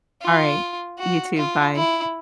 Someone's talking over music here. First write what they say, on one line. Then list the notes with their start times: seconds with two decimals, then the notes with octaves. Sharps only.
Alright, you too, bye.
0.22 F4
0.99 F#4
1.37 F4
1.76 E4